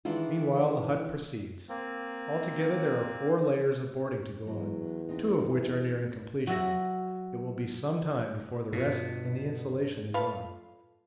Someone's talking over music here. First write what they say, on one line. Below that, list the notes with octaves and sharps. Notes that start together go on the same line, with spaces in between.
Meanwhile the hut proceeds; altogether there are four layers of boarding to go on, two of which are nearing completion; it will be some time before the rest and the insulation is on.
D#3 E3 G#3 D4 E4 F4
A#3 C4
E2 F#3
F2 C4 D#4
F#3 F#4 E5 A#6
G2 B2 F4
F4 A4 B4 F5